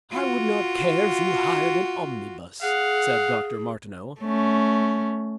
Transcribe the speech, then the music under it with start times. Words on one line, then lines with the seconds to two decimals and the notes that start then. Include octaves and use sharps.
I would not care if you hired an omnibus, said Dr. Martineau.
0.13 F4 F#4
2.62 G#4 F5 F#5
4.20 A3 C#4